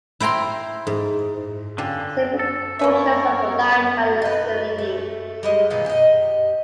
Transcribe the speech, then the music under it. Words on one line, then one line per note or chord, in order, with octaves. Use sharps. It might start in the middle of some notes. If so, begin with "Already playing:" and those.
Several portions of the line are still in use.
E4 C5 G5 A#5 C6
G#2
D3 C#4 F4 G4
A4
A#3 A#4 B4 C#5 E5
D#4 B4
A3
G3 G#3 D#5
A#2 D#3 A#3 B3
G4 D#5